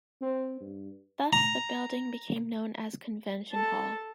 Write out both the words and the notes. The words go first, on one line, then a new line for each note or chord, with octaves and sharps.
Thus the building became known as Convention Hall.
C4
G2
A#5
A4 A5